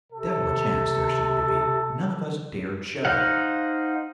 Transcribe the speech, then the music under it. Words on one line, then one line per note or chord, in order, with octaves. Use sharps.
Devil a chance there seemed to be; none of us dared show.
C3 A4
D#4 C5 F5 F#5